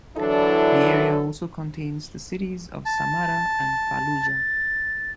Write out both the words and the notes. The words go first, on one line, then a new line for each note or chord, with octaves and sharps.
The area also contains the cities of Samarra and Fallujah.
D3 E3 F#3 D4 E4 A4
A5
A6